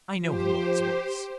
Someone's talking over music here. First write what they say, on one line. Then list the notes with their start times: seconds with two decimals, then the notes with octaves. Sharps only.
I know him by his voice.'
0.23 F3 G4 C5